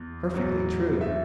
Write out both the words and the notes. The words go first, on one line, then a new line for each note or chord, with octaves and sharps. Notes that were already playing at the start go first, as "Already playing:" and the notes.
"Perfectly true."
Already playing: E2
E2 B2 F#3
E5